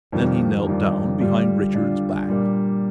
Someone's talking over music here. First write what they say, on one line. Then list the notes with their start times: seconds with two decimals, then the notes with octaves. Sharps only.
Then he knelt down behind Richard's back.
0.12 F2 D#3 G3 D4 F4
0.66 F2 D#3 G3 D4 F4
1.20 D3 G3 D4 F4
1.74 D3 G3 D4 F4
2.28 A#2 G3 A#3 D4